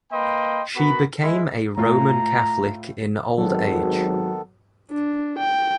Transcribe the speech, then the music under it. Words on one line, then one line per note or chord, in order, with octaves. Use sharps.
She became a Roman Catholic in old age.
A#3 B4 D#5 G5 B5 C6
B3 F#4 A#4 B5
G#3 E4
A2 A3 F4 A#5
G#1 D#3 F#3 B3 A4
D4
G5